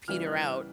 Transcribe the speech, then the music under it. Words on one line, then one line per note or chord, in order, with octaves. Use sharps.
peter out
C#3 E3 G3 B3 F6
F#6